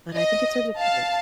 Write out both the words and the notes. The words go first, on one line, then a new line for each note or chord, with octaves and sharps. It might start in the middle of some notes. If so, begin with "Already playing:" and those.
but I think it serves a purpose.
D#5
F5 A5